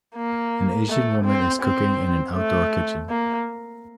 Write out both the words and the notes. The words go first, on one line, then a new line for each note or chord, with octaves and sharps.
An Asian woman is cooking in an outdoor kitchen.
A#3
A3
C4
C4
A3
A#3